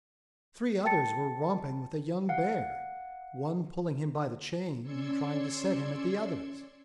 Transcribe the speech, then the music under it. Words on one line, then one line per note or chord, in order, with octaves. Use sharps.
Three others were romping with a young bear, one pulling him by the chain and trying to set him at the others.
G5 A5 A6 C#7
F5 F#5
C#4 D5 C6 E6 G#6 C#7